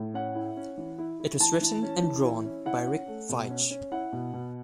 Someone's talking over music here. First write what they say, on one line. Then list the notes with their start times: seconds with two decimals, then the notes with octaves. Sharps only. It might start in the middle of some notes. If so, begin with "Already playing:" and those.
It was written and drawn by Rick Veitch.
Already playing: A2
0.14 C#4 F#5
0.35 E4
0.57 C#4
0.77 E3
0.98 E4
1.20 E4
1.40 E3 A5
1.61 E3
1.83 C#4
2.03 E3
2.24 E4
2.45 C#4
2.66 E4 F#5
2.86 C#4
3.08 A3
3.29 B2
3.50 C#4
3.71 C#4
3.92 E4 F#5
4.13 B2
4.33 B2